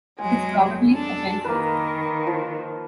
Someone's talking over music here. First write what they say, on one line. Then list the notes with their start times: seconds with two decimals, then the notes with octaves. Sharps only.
It's probably offensive.
0.18 F#3 G#3 G#5
0.92 D4 A4
1.44 D#3 A#3 B4
2.27 F3